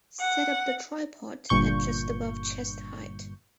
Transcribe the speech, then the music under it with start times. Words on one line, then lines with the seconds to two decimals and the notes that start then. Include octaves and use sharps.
Set up the tripod at just above chest height.
0.20 F#5
1.49 G1 G2 A#2 C#6 G6